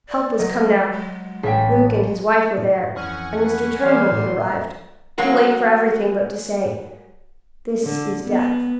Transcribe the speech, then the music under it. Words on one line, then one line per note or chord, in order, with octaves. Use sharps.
Help was come now; Luke and his wife were there, and Mr. Turnbull had arrived, too late for everything but to say, "This is death."
D5
F#3 B4 D#5
G#3
A1 G#4 E5 G5 B6
F2 E3 C#4 F#5 G#5 C#6
B4
E3 G3 D5 F5 F#5 C6
F#3 G#3 A#3 F#4
D3
B3